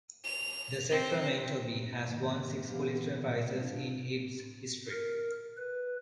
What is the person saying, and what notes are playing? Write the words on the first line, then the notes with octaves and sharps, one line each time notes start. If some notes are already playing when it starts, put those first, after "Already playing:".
The "Sacramento Bee" has won six Pulitzer Prizes in its history.
F7
C4
G#2 D#3 A#3
E3 B3 G4 F5
G#3
D4 F4
A#4
B4